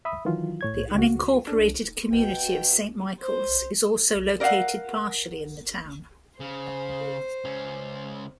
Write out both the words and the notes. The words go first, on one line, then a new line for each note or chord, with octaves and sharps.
The unincorporated community of Saint Michaels is also located partially in the town.
E5 B5 D#6
D#3 E3 F#3 F4
A2 C#5 G#6
C#2 F#4
D4 A4
B2 F#4 G5
C5
A#4 D5 D#5 F5 F#5
C#3 C5
C#2 C#4